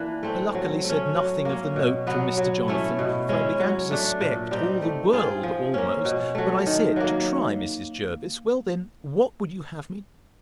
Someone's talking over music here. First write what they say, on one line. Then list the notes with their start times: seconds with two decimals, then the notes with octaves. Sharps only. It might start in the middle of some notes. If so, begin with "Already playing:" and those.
I luckily said nothing of the note from Mr. Jonathan; for I began to suspect all the world almost: but I said, to try Mrs. Jervis, Well then, what would you have me do?
Already playing: E3 A#3 D4
0.23 A3 C4
0.55 F#3
0.84 A3 C#4
1.15 F#3
1.45 A#3 C#4
1.76 B2
2.07 F#3 B3
2.37 F#3
2.68 A3 C#4 E4
2.99 B2
3.29 G#3 C#4 E4
3.60 F#3
3.91 A3 D4
4.21 A#2
4.51 G3 C4 D#4
4.82 A3
5.13 C4 F4 G#4
5.43 F3
5.74 A#3 C#4
6.05 B2
6.35 F#3 A3
6.66 D#3
6.96 F#3 A#3